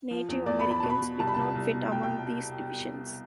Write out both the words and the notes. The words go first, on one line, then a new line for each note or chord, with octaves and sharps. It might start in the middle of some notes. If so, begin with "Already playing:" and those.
Native Americans did not fit among these divisions.
F3
E2
E2 D5
B5
E2
B5
B2 A5
B5
B2
C2 A5
B5
C2 A5
C2
B2
B2 G5
G5